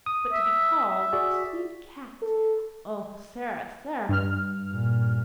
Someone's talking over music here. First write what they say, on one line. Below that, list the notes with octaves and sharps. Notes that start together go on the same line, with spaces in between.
But to be called "a sweet cat!" Oh, Sara, Sara!
D#6
E5
E5
F#4 G#4 D5
A4
G2 F6
A#2